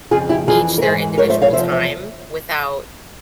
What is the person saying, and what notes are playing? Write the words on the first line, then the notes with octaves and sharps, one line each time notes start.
each their individual time without
F2 C#3 F3 F4 G#4
E4 G4
F2 E3 F4 G#4
A#4
G#2 E3 G#4 C5
G#2 F3 A#4 C#5
C5 E5
C#5 F5
E2 C3 F3 C5 E5
C5 E5